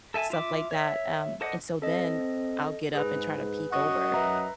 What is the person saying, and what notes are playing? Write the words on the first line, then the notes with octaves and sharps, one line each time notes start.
stuff like that, um, and so then I'll get up and try to peek over,
A4 E5 G#5 A5
F4 E5 D6
C#5 E5
A4 C5 D5 D#5 F#5
C4 A4 D#5
G#2 G#4 B4
F#2 F#3 D#5 F#5 C#6
B4 E5 A#5